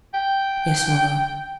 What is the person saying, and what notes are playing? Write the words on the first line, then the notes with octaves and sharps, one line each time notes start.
'Yes, mother.
G5